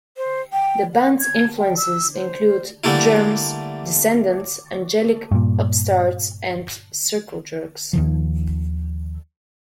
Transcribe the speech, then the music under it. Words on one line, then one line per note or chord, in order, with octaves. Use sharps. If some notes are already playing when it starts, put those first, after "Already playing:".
The band's influences include Germs, Descendants, Angelic Upstarts and Circle Jerks.
C5
G5
F#5
G#6
G5
E6
C5
D3 G3 A3 A#3 E4
G2 A#2
D#2 D#3 F3